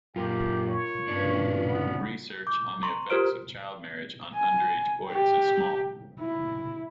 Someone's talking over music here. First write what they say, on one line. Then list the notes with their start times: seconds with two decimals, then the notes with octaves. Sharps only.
Research on the effects of child marriage on underage boys is small.
0.16 F#2 A#2 F4 G4 A#4
0.69 C#5
1.08 G2 C#4 D4
1.67 B3
2.47 D6 G6
2.83 A#5 C6 C#6
3.10 F4 G4 A#4 C5 F6 D7
4.35 G#5
5.07 G4 G5
6.20 E4